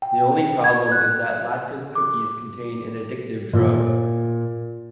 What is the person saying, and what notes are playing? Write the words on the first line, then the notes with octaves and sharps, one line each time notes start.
The only problem is that Latka's cookies contain an addictive drug.
G5
G#6
F#6
D6
A#2